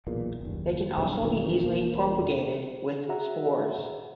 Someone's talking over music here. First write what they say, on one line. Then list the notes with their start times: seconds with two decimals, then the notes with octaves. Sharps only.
They can also be easily propagated with spores.
0.07 B1 E2 A#2
0.41 F#1 D#2
0.98 B1 G2 C#3
1.23 F#1 B2 D#3 E3
1.64 E1 A#3
3.09 F#4 G#4 E5 F#5 A#5